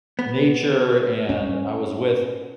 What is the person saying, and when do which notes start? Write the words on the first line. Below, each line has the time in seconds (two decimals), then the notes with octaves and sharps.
nature and I was with,
0.19 B3
1.29 C#4